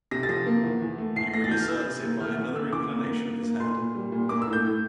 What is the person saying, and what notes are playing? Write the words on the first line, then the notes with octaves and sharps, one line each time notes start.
He re-asserts it by another inclination of his head.
C3 A#6
A6
F3 A#6
A#3
E2
E2
A3
E2 C7
A3 A#6
A6
E3 G6
F6
E3 E6
C3
A#3
E2 F6
E2
A#3 E6
E2 D6
A#3
A#3
A#3
A#3
A#2 C6
A#2
G3
A#2
A#3 D6
E6
A2
G6
A2